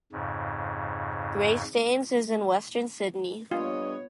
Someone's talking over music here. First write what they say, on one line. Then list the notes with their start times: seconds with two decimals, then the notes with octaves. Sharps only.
Greystanes is in Western Sydney.
0.12 F2 G#2 C#3
3.51 G2 B3 F4 C#5 D#5